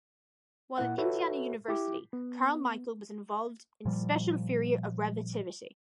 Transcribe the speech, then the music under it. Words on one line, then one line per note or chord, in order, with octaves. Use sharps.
While at Indiana University Carmichael was involved with special theory of relativity.
A#2 A#3 E4 F#5
F#4 A4 B4 C#5 E5
E4 G4 D6
B3
A#2 F3 G3